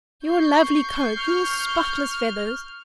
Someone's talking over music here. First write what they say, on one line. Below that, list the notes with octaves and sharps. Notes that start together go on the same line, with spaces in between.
Your lovely coat, your spotless feathers!
C#6 G6 C7
F6